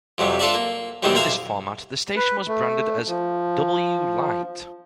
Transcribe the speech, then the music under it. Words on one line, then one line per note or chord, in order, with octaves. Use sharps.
Under this format, the station was branded as "W-Lite".
F2 C3 F#3 G3
D4 F4 A4 B4 D5 E5
A#3
F#2 C3 D#3 E3 G3 C4
B1 E4 C5 E5 F5 A#5
B4
A3
F3